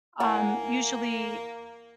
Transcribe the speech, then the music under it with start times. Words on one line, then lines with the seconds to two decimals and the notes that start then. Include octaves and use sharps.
um, usually
0.20 E2 A#3 D5 F#5 G#5